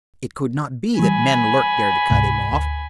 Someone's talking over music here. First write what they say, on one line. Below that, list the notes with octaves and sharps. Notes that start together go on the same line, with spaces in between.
It could not be that men lurked there to cut him off.
E3 G3 G#5 B5
C#2 G#2 C3
D2